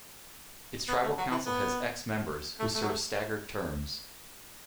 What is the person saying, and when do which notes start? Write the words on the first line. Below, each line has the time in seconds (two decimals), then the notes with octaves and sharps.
Its tribal council has x members, who serve staggered terms.
0.88 B3
1.03 A3
1.18 F#3
1.31 E3
1.46 B3
2.60 A3
2.75 A3
2.82 F#3
2.88 A3